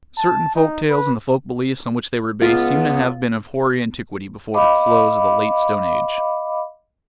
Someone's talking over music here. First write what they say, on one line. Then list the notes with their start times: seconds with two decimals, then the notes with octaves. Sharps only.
Certain folk tales, and the folk beliefs on which they were based, seem to have been of hoary antiquity before the close of the Late Stone Age.
0.17 A5
0.55 D#4
0.89 B4
2.42 C#2 B3 F4
4.54 D#5 F5 B5 D6